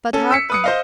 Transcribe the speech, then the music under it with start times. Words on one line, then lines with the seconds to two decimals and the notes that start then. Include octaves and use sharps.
But hearken!
0.13 C#4 A4
0.31 E6 B6 C#7
0.50 B4 D#6 C#7
0.64 C5 D#5 F5